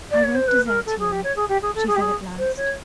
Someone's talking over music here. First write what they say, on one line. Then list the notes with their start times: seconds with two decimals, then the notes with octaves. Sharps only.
"I won't desert you," she said at last.
0.11 D5
0.24 C#5
0.35 C5
0.48 B4
0.66 A#4
0.86 A4
0.99 G#4
1.12 G4
1.24 C#5
1.36 G#4
1.49 G4
1.62 G#4
1.75 A4
1.88 G#4
1.96 G4
2.01 G#4
2.38 C5
2.57 C#5